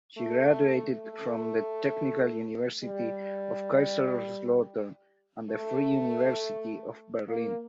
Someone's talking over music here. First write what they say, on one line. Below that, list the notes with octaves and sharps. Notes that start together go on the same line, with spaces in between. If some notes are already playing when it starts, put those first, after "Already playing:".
She graduated from the Technical University of Kaiserslautern and the Free University of Berlin.
A3
A3
G3
A3
A#3